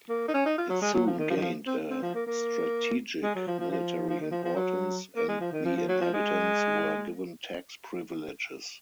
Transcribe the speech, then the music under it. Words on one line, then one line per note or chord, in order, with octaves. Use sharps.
It soon gained a strategic military importance and the inhabitants were given tax privileges.
A#3
D#4
C#4
D#4
F4
F#3
G#3
F#3
F3
D#3
F3
D#3
F3
C4
C4
F3
A#3
A#3
G#3
F#3
F3
F3
F3
F3
D#3
F3
F3
F#3
A#3
G#3
F3
D#3
F3
F3
F#3
F3
G#3